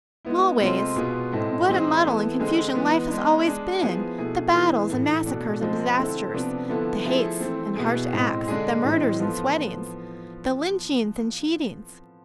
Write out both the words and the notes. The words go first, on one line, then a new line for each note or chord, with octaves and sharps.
Smallways, what a muddle and confusion life has always been--the battles and massacres and disasters, the hates and harsh acts, the murders and sweatings, the lynchings and cheatings.
G#3 B3 E4
C3 G#3 C4 F4 A4
B2 B3 F4 G#4
A2 G#3 C4 E4 A4
E3 G#3 C4 G#4
E3 B3 E4 A4
D3 G#3 C4 G#4
E3 G#3 B3
G#3 B3 D4
G#3 D4 G#4
F3 B3 E4 G#4
B2 A3 E4 G#4
E3 B3 E4 G#4
A2 E3 A3
B2 A3 D4
F3 G#3 C4
D3 A3 C4 E4 A4
C3 F3 B3 D4
D3 F3 B3 E4 A4
F3 A3 E4 G#4
E3 A3 C4
B2 B3 E4 G#4
A2 G#3 C4
D3 G#3 D4 G#4
A2 E3 G#3 C4
F3 B3 F4 A4